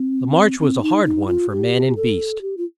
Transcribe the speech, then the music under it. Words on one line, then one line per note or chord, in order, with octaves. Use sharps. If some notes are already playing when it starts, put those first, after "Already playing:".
The march was a hard one for man and beast.
Already playing: C4
C4
D#4
D#4
F4
G4
A4
G4
F4